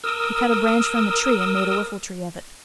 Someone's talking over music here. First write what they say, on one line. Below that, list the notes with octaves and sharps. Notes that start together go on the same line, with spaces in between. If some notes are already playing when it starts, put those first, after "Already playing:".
He cut a branch from a tree and made a whiffle-tree of it.
A#4 D#6 E6